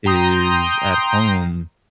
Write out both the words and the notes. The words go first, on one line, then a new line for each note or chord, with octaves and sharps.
is at home,
G5 A#5 C6 D#6 G6